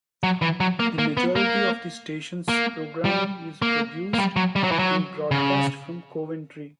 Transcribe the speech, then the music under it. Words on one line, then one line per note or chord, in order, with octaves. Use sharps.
The majority of the station's programming is produced and broadcast from Coventry.
F#3
E3
F#3
A#3
A#3
B3
A#3
A#3
G3
A#3
A#3
G3
F#3
G3
F#3
E3
F#3
C#3